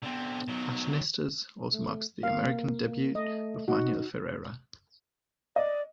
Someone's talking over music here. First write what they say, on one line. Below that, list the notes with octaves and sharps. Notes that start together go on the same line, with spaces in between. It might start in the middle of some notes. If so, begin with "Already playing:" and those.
"Fashionistas" also marks the American debut of Manuel Ferrara.
D3 B3 C4
D#3 F#3
A3
A#3 F5
A#3
A3 D#5
D#4 F#4
D5 D#5